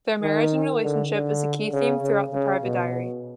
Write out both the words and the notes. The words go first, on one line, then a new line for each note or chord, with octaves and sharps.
Their marriage and relationship is a key theme throughout the private diary.
D#3
D3
D3
C#3
C#3
C#3
B2